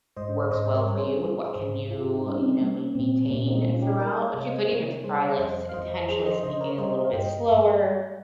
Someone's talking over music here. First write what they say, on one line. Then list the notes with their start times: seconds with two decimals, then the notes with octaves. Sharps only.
works well for you and what can you, you know, maintain throughout but you could even try, like, s intentionally speaking a little bit slower,
0.17 G#2 C5 D#5
0.51 G#2 C5 D#5
0.74 A#4 C#5
0.86 G3
0.97 G#4 C5
1.21 G3 F4 G#4
1.44 G#4 C5
1.55 G#2
1.90 G#2 F4 G#4
2.13 D#4 G4
2.26 G3 C#4
2.37 C4 D#4
2.60 G3 A#3 C#4
2.95 A#2 C4
3.30 A#2 A#3 C#4
3.47 C4 D#4
3.64 G3 C#4 F4
3.82 D#4 G4
3.99 G3 G4 A#4
4.23 C#5 F5
4.34 C3
4.45 C5 D#5
4.69 C3 A#4 C#5
5.04 G3 G#4 C5
5.27 F5
5.39 F2 C5 D#5
5.69 F5
5.73 F2 C5 D#5
6.08 F3 G#4 C5
6.26 C5 D#5
6.43 C#3 C5 D#5
6.61 A#4 C#5
6.78 G3 C5 D#5
7.04 F5
7.13 G2 D#5 G5
7.48 G2 C#5 F5
7.83 G3